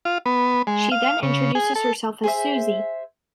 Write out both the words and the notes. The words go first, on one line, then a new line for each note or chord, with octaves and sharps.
She then introduces herself as Suzee.
F4
B3
G#3
F5
C#3
G#4
A4
G#4 C5 E5